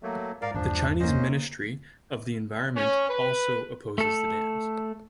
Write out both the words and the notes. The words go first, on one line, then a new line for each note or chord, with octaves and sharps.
The Chinese Ministry of the Environment also opposes the dams.
F#3 A3 A#3
G#2 A#4 D5 F5
G1 E2 F3 D4
C#3 A#3 C#4 C5 D#5
C#4
B4
A3 A4